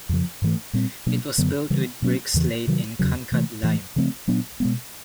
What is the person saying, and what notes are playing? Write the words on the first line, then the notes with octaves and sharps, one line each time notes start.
It was built with bricks laid in kankad lime.
F2 C#3 F3
G#2 E3 A3
A#2 G3 C4
B2 F#3 A#3 D4
F#2 D3 F#3 B3
C#3 E3 G3
B2 F#3 A#3 C#4
E2 C#3 E3
C3 D#3 F#3
E2 C#3 F#3
C3 E3 A3
A2 E3 A3
C#3 F3 A3 C4
A#2 F#3 B3 D4
B2 G#3 B3